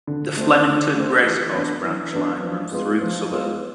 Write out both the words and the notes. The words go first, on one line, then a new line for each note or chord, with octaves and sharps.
The Flemington Racecourse branch line runs through the suburb.
D3
A3 C4
D3
A3 C4
E3
B3 D4
E3
B3 D4
F3
G#3 B3 F4
F3
G#3 B3 F4